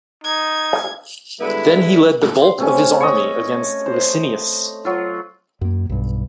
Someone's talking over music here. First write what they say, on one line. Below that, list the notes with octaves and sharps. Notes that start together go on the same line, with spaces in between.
Then he led the bulk of his army against Licinius.
D#4 G#6
D3 G3 G#3 B3 E4
C6
C3 A3 C#4
C#5 D#5
C5
F#3 F4
F#2 A#3
B1 G2